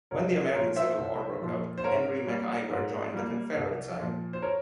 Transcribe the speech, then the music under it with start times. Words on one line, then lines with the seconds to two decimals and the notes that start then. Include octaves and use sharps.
When the American Civil War broke out, Henry McIver joined the Confederate side.
0.11 C2 A#4 C#5
0.54 A#2 F3 A#4 C#5
0.76 C5 E5
0.98 C2
1.41 A#2 F3
1.78 C5
1.84 G#2 A#4 C#5
2.27 G3 A#3
2.70 G#2
3.13 G3 A#3
3.57 C2
4.00 A#2 F3
4.33 C5
4.42 A#4 C#5